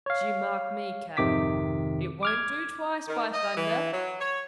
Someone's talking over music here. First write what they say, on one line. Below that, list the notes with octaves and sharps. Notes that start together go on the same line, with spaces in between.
But you mark me, cap'n, it won't do twice, by thunder!
C#5 F5
G#1 F2 C3 D#3 D6 B6
D6 F6 G#6
D#3
D#5
E3
F#3
C#5